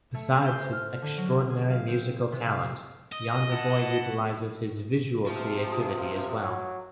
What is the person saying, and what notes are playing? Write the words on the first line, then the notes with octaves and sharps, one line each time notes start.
Besides his extraordinary musical talent Yonderboi utilizes his visual creativity as well.
A3
C5
F6
D3
F#3
G#4
F5
C4
C3
F5
E6
D#5
E4 F#5 A5
C3 F3
F#3